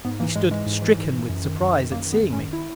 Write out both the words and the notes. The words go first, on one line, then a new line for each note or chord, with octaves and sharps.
He stood stricken with surprise at seeing me.
G#2 B3
E3 A#3
G#2 G#3
E3 G#3
G#2
E3
G#2
E3
F#2
D#3
F#2
D#3
F#2 A#3
D#3
B3
F#2
C#4
D#3
E4